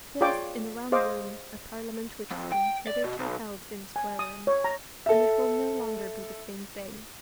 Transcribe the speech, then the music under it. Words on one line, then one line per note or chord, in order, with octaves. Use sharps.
Place in a round room a parliament which has been hitherto held in a square room, and it will no longer be the same thing.
F4 G#4 C#5 D5 G5 D6
G#4 C5 D#5 F5 D6
F2
G5
D5
B2
B1
G#5
D#6
C#5
A#5
A4 E5